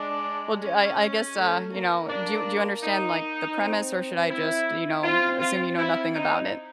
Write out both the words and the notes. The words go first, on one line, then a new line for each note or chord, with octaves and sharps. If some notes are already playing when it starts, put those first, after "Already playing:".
Well, d I I guess, uh, you know, do you do you understand like the premise or should I just, you know, assume you know nothing about it?
Already playing: G#3 D4
C#4
A3
A#3
D4
D#4
C4
E4
C4 F4
F4
E4
D#4